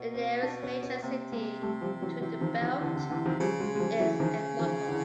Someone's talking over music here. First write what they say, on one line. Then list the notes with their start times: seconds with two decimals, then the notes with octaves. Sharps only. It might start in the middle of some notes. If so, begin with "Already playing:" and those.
The nearest major city to the belt is Edmonton.
Already playing: B2
0.14 A#3 C4
0.43 C4 D4
0.63 B3 C#4
0.82 B3 C#4
1.02 C3 A#3 C4
1.32 G#3 A#3
1.62 G3 A3
1.81 F3 G3
2.01 E3 F#3
2.21 C3 E3 F#3
2.41 D#3 F3
2.61 D#3 F3
2.81 D3 E3
2.96 D3
3.10 D3 E3
3.26 D#3 F3
3.40 C#3 F3 G3
3.60 F#3 G#3
3.75 G#3
3.80 F3 G3
4.00 E3 F#3
4.20 D#3 F3
4.59 D#3 F3
4.89 D3 E3